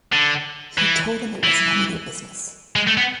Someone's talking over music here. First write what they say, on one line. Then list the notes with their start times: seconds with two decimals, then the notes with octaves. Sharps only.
He told them it was none of their business.
0.12 D3
0.78 E3
1.44 E3
2.76 G#3
2.87 A3
2.97 B3